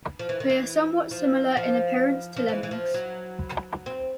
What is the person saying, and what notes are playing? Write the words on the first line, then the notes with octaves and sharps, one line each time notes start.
They are somewhat similar in appearance to lemmings.
F3
E3
D#3
E3
F3
F3
F3
E3
E3
F3
F#3
C4